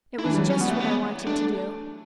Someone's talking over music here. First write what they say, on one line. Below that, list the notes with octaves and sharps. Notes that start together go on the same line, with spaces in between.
It was just what I wanted to do.
E4
E3 D4
G3
F#3
C#4
G3 B3
A3
B3
A3 D4